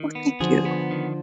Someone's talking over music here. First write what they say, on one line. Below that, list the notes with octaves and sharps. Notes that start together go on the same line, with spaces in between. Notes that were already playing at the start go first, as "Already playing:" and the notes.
Well, thank you.
Already playing: D#3
B3
D3 F3 G#4
B3
D#3